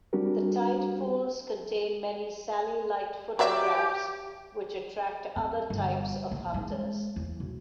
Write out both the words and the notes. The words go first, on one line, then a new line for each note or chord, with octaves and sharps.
The tide pools contain many Sally Lightfoot crabs, which attract other types of hunters.
G3 C4 D4 F#4 G4 A#4
F#3 G4 D5 E5
C4
G1
A#1
G#3
E2
B1